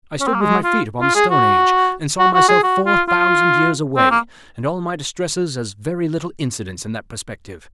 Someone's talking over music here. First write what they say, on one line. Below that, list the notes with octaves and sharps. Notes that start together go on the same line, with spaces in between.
I stood with my feet upon the Stone Age and saw myself four thousand years away, and all my distresses as very little incidents in that perspective.
C#4
C4
A#3
G#3
F4
F4
G#4
F#4
F#4
F#4
G#4
F#4
F4
F4
C4
A#3